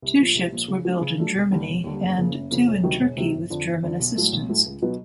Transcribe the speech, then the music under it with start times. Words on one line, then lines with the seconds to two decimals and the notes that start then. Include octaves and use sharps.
Two ships were built in Germany and two in Turkey with German assistance.
0.02 C2
0.19 A#2 F3
0.35 C2
0.52 A#2 F3
0.68 C#3
0.85 F#3 A3 D4
1.01 C#3
1.18 F#3 A3 D4
1.35 E1
1.51 D#2 D3 G3
1.68 E1
1.84 D#2 D3 G3
2.01 F#1
2.18 F2 C#3 F3 A#3
2.34 F#1
2.51 F2 C#3 F3 A#3
2.67 E1
2.83 D2 C3 D#3 F#3
3.00 E1
3.17 D2 C3 D#3 F#3
3.33 G1
3.50 F2 D3 F3
3.67 G1
3.83 F2 D3 F3
4.00 B1
4.16 A2 F#3 A3
4.33 B1
4.49 A2 F#3 A3
4.66 C#2
4.82 B2 F#3 B3 D#4